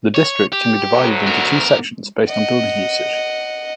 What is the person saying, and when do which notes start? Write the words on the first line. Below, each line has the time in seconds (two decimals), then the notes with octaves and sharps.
The district can be divided into two sections based on building usage.
0.15 C#5
0.53 G4
0.91 D2 F#3
1.27 B3 A#4
2.29 D#5 F#5